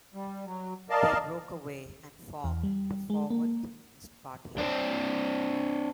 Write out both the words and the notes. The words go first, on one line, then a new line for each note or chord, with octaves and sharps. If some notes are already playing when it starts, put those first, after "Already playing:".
They broke away and formed the Forward Communist Party.
G3
F#3
A#4 D5 D#5 F5 A5
E2
G3
G#3
A#3
C4 D4